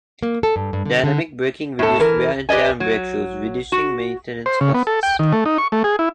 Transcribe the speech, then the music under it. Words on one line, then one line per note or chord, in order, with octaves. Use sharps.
Dynamic braking reduced wear and tear on brake shoes, reducing maintenance costs.
A#3
A4
G2
G2
D3
D3
A2 A4
E3 A#4
G4 B4 D5 D#5 G#5
F#3
F#4
C5
C#3
B3
A4
G5
D#3
A3
D#4
C#6
A3
G#4
E4